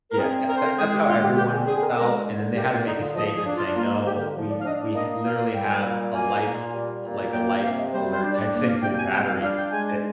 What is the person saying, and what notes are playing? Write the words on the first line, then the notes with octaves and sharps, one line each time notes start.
Yeah. That that that's how everyone felt, and then they had to make a statement saying, "No, we we ha literally have a life, like, a life alert type thing for your battery." That
A#4
C4 G#4
D3 A#4
C5
A#4
G#3 G#4
G4
G4
D3 F4
G4
C4 G4
G#4
D3 G#4
G#4
A#4
G#3 A#4
D3
A#3 G4
F4
D3 D#4
F4
F3 D#5
G#4
D4
F4
A#3 F4
F4
D3 G4
A#4
F3
D5
F5
D4 D#5
D5
A#3 D#5
A#2 F5
G3 G5
A#2
A#3 G#5
A#2
G3
A#2
A#3 G5
G5
C3 F5
D#5
G3 C5
C5
D4
D5
A#3 D5
F5
C3 G5
G#5
G3 G5
F5
D4 F5
G5
G#3 G#5